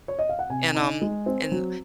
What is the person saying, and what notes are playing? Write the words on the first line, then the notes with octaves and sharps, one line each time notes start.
and, um, and,
C#5
D#5
F5
F#5
C3 G#5
D#4
G#3
C4
F#3